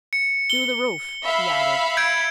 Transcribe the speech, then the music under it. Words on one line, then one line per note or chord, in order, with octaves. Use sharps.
"Through the roof," he added.
C#7
G7
E5 F5 B5
G6 G#6 D7